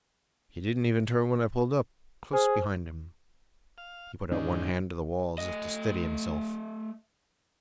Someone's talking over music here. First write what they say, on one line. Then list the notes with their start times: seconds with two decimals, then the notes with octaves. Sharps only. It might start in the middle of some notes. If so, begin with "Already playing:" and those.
He didn't even turn when I pulled up, close behind him; he put out one hand to the wall, as if to steady himself.
2.33 G#4 C5
3.78 F5
4.32 G#2 D3 D#3 C#4 D#4
5.38 A3 D#5